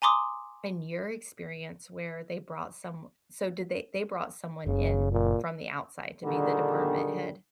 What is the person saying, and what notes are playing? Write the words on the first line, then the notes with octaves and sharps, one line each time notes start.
in your experience where they brought some so did they they brought someone in from the outside to be the department head?
G#5 A#5 C6 D6 D#6
F#1 C#3
A#2
A#2 D3 D#3 G3 D4 G#4